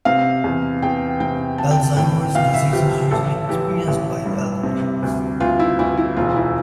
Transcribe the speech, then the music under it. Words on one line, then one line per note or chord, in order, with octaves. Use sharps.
Alzheimer’s disease is usually experienced by the elderly.
C3 F5
E2
E2 G5
C3 G5
B1 A5
G5
A5
A2 G5
B1 F5
E5
F3 G4
A1 A4
E3 G4
A1
G2
C3
D2
D2 F4
E4
D2 E4
E4
E1 F4
E4